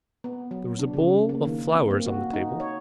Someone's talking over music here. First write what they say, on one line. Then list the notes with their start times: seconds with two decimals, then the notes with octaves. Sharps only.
There was a bowl of flowers on the table.
0.24 B3
0.51 F#3
0.79 D4
0.93 C#3
1.29 A#3
1.45 D#3
1.74 C4
1.90 A#3
2.06 F#4
2.33 D#4
2.60 C#5